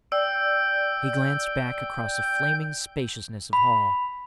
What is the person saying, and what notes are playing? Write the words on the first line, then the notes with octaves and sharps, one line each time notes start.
He glanced back across a flaming spaciousness of hall.
D5 G5 E6 G6
B5